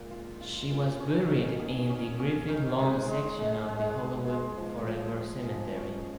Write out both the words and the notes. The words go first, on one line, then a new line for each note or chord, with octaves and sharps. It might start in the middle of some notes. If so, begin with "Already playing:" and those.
She was buried in the Griffith Lawn section of the Hollywood Forever Cemetery.
Already playing: A#2 G#3
F4
F4
A#2
C#4
D#3
G#4
C#4
C#4
D#3
G#3
G#3
G#3
G#3
G#3
G#3
F3
F3
G#4
F3
C#4